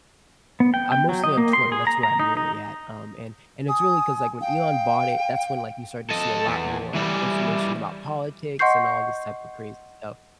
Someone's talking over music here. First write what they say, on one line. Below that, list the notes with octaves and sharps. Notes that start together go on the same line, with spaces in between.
I'm mostly on Twitter, that's where I'm really at, um, and and it's really 'cause, like, when Elon bought it, that's when, like, you started to see a lot more information about politics and all this type of crazy stuff,
B3
G5
G5
F#3
D#5
A#3
C6
G#4
A#5
A#5
D#4
D#4
G#5 D#6
F5 G5
A4 D#5
E2
E3 G3
D#5 F#5 C6 C#6 G6 C7